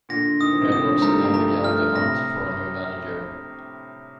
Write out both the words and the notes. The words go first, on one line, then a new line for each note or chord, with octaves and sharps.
Edwards then began the hunt for a new manager.
A#2 D3 A#6
D#3 D#6
F3
C3 D#3
D3 F3 D#6
A3
D#3 G3 A#5
A#3
F3 A3 A#5
F3 A3 F6
A2 C3 A#6